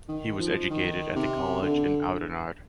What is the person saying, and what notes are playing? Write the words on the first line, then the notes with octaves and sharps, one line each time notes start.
He was educated at the college in Oudenaarde.
D#3
F3
D#3
C3
D3